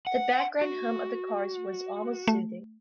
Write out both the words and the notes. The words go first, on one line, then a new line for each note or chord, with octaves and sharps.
The background hum of the cars was almost soothing.
F#5
F#4
A3